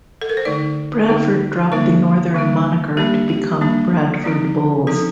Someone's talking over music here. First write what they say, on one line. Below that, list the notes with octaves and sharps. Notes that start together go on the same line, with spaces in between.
Bradford dropped the Northern moniker to become Bradford Bulls.
A4
A#4
C5
D3 A3 D#4 D5
D3 A3 D#4
D3 G3 A#3 D#4 A#4
D3 G3 A#3 D#4
G3 A#3 D4 G4
G4
G3 A#3 D4
F3 C4 D#4
F3 C4 D#4 A4